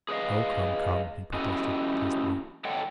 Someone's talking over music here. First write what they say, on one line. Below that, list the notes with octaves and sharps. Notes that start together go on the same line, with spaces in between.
"Oh come, come!" he protested pleasantly.
G#4 B4 C5 D#5 F5
C#4 E4 F#4 G4 A4 D#5
A4 C#5 D#5 F#5 G5